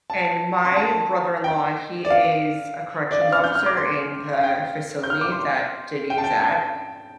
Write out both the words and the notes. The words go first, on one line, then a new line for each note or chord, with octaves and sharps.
And my brother-in-law, he is a corrections officer in the facility that Diddy is at,
A5
C6
A5
G5
D5
F5
D5
F5
F6
G6
F6
D6
C6
F5
G5
G6
F6
D6
C6
G5
A5
G5